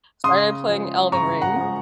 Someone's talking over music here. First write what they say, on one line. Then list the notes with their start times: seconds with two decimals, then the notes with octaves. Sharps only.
Started playing Elden Ring,
0.24 C#3 C6 D#6
0.68 F3 G#3
1.12 C#3 A#5 C#6
1.42 F#5 A#5
1.56 F3 G#3